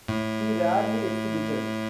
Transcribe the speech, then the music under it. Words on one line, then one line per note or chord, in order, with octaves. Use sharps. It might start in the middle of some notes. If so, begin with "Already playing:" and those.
He rarely exhibited.
A2